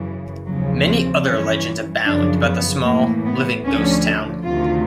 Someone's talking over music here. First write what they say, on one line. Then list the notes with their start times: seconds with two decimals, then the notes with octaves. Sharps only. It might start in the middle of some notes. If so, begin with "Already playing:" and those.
Many other legends abound about the small "Living Ghost Town".
Already playing: F#2 C#3 E3
0.45 D#2 C#3 F3 F#3
0.86 C4
1.25 G2 E3 C#4
2.05 F#2 C#3 F3 D4
2.45 B3
2.85 A2 E3 A#3
3.25 B3
3.64 D2 D3 F3 C#4
4.44 D2 C3 D#3 F4